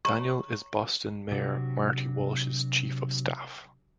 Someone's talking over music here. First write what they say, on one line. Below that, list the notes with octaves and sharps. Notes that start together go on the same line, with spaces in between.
Daniel is Boston Mayor Marty Walsh's chief of staff.
C#5 A#5 C#6
C3 F#3 D4 F#4 G4